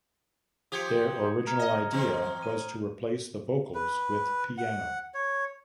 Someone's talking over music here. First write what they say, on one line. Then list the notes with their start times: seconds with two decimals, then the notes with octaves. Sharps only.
Their original idea was to replace the vocals with piano.
0.72 F3 G4 D#6 G#6 C#7
1.47 A#5 F6 G#6
1.59 D#5
1.92 E3 C4
2.43 D#7
3.75 B4
4.58 F#5
5.14 C#5